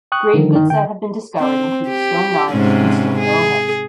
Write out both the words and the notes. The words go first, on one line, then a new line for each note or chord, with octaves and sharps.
Grave goods that have been discovered include stone knives and stone arrowheads.
G5 C#6 D#6 F#6
D3 D#3 F3 G3
G1 D#3 A#4
D3 G5
C4
G4
G#2 C3 C#4
G#4